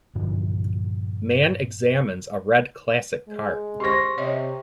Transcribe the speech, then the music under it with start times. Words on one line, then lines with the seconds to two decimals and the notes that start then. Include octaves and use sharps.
Man examines a red classic car.
0.15 G2 A#2 D3 F3
3.28 G#3
3.80 G4 C5 C6 C#6 A#6
4.18 C3 C#5 D#5 E5